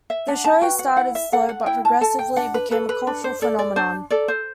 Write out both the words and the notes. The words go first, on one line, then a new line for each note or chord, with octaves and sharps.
The show started slow, but progressively, it became a cultural phenomenon.
E5
D4 F#5
A5
F#4 B4 G5
F#5
E4 F#5
E5
A4 F#5
F#5
E4 G5
A5
A4 A5
G5
D4 F#5
B4
A4 B4
B4
D4 B4
C5
A4 D5
D5
D4 C5
A4 D5
C5